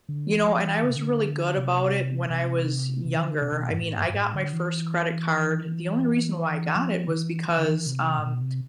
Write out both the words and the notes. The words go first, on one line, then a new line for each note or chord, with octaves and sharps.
you know, and I was really good about it when I was younger. I mean, I got my first credit card the only reason why I got it was because, um,
D3
E3
F3
E3
D3
C3
D3
C3
C3
C3
E3
D3
C3
C3
B2
G2
A2
G2
G2
A2
D3
E3
F3
D3
E3
E3
D3
E3
C3
A2
B2
C3